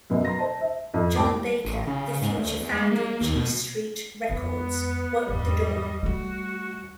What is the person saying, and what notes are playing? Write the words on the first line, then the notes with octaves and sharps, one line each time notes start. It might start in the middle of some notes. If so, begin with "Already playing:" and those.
Jon Baker, the future founder of Gee Street Records, worked the door.
F#2 B2 B3
A#5 C6 A#6
C5 A5
E5
F2
C2 G3 A5 D6
A1
C#3
G#2
D2
E2
G#3
A#3
D#2
B2
F2 G#3 B3
E2 G#2 G3 D#5
G3 A3 F#4